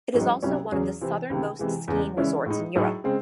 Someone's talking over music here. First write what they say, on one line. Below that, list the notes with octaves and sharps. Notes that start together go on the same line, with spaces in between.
It is also one of the southernmost skiing resorts in Europe.
A1 G#2 F#3 C4 D#4
C2 C3 F#3 C#4 E4
E2 C#3 F#3 C#4 G#4
C3 E3 C4
C#2 C3 D#3
C3 E3 G#3
E2 C#3 G#3
C#3 E3 G#3 C#4 E4
A2 G#3 D#4
A2 F#3 A3 D#4 G#4
C#3 G#3 C4